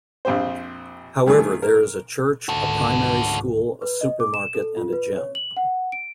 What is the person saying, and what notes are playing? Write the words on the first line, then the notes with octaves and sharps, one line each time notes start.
However there is a church, a primary school, a super market and a gym.
A#1 F2 C4 G4 C5
G2 D#3 A3 G#4
A#4
G#1 C#2 D3 F#4 A4
B4
D#5
D6
E7
A4
F4
B4
C#5
F#7
F#5
D7